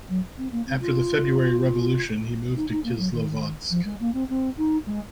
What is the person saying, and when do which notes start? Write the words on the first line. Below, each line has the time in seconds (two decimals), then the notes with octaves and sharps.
After the February Revolution, he moved to Kislovodsk.
0.09 F#3
0.37 C4
0.51 A#3
0.66 C4
0.80 F4
2.55 D#4
2.69 D#4
2.84 A#3
2.98 F#3
3.12 D#3
3.70 F3
3.84 G#3
4.00 A#3
4.13 C4
4.29 C4
4.57 D#4
4.86 G#3